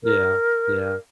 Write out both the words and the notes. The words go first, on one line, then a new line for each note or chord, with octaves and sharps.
Yeah, yeah.
A#4